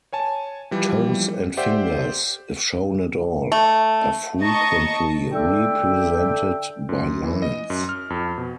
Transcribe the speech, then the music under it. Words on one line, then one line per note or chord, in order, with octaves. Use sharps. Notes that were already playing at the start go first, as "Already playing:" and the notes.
Toes and fingers, if shown at all, are frequently represented by lines.
C#5 G#5 A5
E3 F3 G3
G4 C5 D5 E5 F#5 G5
A3
D#5 A5 A#5 C#6
D3 D5 E5 G5
F#2
E3
D#5
F#2
F6
F2
B2